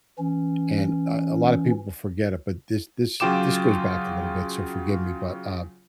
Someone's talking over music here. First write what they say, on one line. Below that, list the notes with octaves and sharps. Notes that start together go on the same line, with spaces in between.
and, uh, a lotta people forget it, but this this this goes back a little bit, so forgive me, but, um,
E3 C#4
C#3 F#3 F4 G5 D6 E7